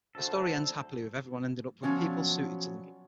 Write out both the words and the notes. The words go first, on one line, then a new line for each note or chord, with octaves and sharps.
The story ends happily with everyone ending up with people suited to them.
D2 A4 C5
B2 F3 F#3 C#4 D5